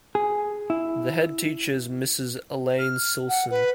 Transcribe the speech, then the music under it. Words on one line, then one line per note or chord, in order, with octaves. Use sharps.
The head teacher is Mrs Elaine Silson.
G#4
E4
F6
F#5
B4